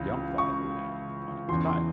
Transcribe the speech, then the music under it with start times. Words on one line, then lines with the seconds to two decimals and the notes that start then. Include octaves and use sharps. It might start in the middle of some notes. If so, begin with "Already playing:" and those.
young father and money was tight.
Already playing: C#2 E3
0.38 C#6
1.48 E2 C#3 E3 C6
1.67 C6